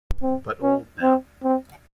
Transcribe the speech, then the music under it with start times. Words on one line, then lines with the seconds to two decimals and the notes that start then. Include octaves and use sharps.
But old now.
0.23 C4
0.63 C#4
1.02 C4
1.43 C4